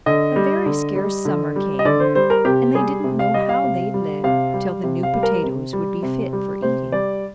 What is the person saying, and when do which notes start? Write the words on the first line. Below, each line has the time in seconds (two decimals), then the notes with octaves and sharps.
A very scarce summer came, and they didn't know how they'd live till the new potatoes would be fit for eating.
0.06 D3 D#5
0.36 G3
0.66 D3
0.95 G3
1.25 D3
1.56 G3
1.79 D#5
1.85 D3 D5
2.00 C5
2.15 G3 C5
2.30 A#4
2.45 C3 G4
2.74 G3 G#4
3.04 C3
3.19 F5
3.34 G3 D#5
3.49 F5
3.64 C3
3.94 G3
4.24 C3 F5
4.53 G3
4.83 C3
5.03 F5
5.13 G3
5.23 A#4
5.43 C3
5.73 G3
6.03 C3
6.33 G3
6.62 C3 C5
6.92 G3 D5